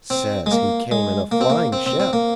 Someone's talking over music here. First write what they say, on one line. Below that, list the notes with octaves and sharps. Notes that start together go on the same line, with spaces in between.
Says he came in a flying ship.
C4
G#3
A#3
G#3
A#3
C4
A#3
C4
C4
C4
A#3